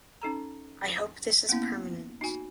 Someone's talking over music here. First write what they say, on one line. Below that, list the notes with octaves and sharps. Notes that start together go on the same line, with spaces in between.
I hope this is permanent.
C#4 D#4 A4 A#5
A#3 B3 C#4 E4
D#4 F#4 G#5